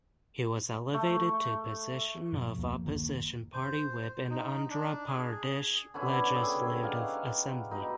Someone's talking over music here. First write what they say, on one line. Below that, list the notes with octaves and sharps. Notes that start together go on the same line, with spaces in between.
He was elevated to position of opposition party Whip in Andhra Pradesh Legislative Assembly.
A3
F#2 B2 F3 F#3
F1 D2 F3 A#3
F#1 D#3 A#3
C5
D#4
D4
G#4
D3 B3 C#4 E4
G4 G#4 E5
D#4 G4 F5 F#5
B2 D#4 E4